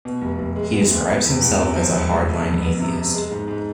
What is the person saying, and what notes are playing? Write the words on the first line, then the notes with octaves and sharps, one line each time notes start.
He describes himself as a "hard-line atheist".
B2
F1
F1
G#3
B3
D2
B3
E2
E2
C3
F3
E1
A3
F2
F2
B3
C3
C3
G#3
G#2
G#2